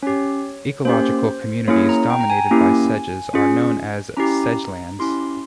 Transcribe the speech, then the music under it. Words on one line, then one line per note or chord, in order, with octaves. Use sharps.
Ecological communities dominated by sedges are known as sedgelands.
C#4 G4 C#5
A#3 C#4 G4 C5
A#3 C#4 E4 G#4 C#5
A#5
G5
A#5
G#5
A#3 C#4 E4 G4
C#4 F4 G#4
C#4 E4 G4 A#5
C#4 E4 G4 C6